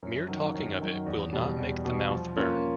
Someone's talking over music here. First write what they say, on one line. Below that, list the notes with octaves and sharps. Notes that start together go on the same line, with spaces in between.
Mere talking of it will not make the mouth burn.
F#2
D#3 F#3
F#2
D#3 F#3
E2
B2 G3
E2
B2 G3
F3
A#3 C#4 F4